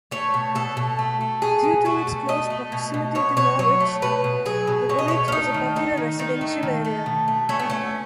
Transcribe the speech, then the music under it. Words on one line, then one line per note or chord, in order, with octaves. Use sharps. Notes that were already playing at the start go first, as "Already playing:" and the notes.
Due to its close proximity to Norwich, the village is a popular residential area.
A3 C#5
B2
B2 A4
B2
A3
A3
B2 G#4
B2
A3 F#4
B2
A3 D#5
A3
B2
B2
B2 C#5
B2 C#5
F#3 C#5
A3
B2 B4
B2
F#3 G#4
B2
B2 C#5
D#5
A3 C#5
C#4
A3 D#4
D#3
A3 D#4
D#3
D#3 D#4
A3
D#3
A3
B2
A3
A3 C#4
B3
A3 C#4